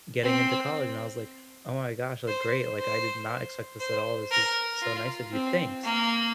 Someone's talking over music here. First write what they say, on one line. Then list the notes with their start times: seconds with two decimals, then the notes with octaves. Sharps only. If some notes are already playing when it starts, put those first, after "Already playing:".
getting into college and I was, like, "Oh my gosh," like, "great," like, "I did not expect this at all. This is so nice of you. Thanks."
0.23 C4
2.28 C5
2.79 C5
3.80 C5
4.31 A#4
4.82 F4
5.33 C4
5.84 A#3